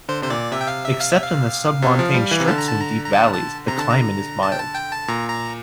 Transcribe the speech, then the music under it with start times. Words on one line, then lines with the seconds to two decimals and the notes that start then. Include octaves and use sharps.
Except in the submontane strips and deep valleys, the climate is mild.
0.08 D3 C5
0.22 C3 C5
0.30 A#2 D5
0.52 C3 E5
0.61 G5
0.68 F5
0.85 E5
1.00 F5
1.11 E5
1.23 F5
1.82 C3
1.99 F3
2.14 G3
2.31 E3
2.40 C3
2.48 D3 A5
2.58 A#5
2.67 A5
2.80 A#5
3.05 A#5
3.13 A5
3.34 A5
3.67 C3 A#5
3.78 D3 A5
3.90 A#5
4.43 A5
4.52 G5
4.60 A5
4.75 G5
4.92 A5
5.08 A#2 A#5
5.29 A#5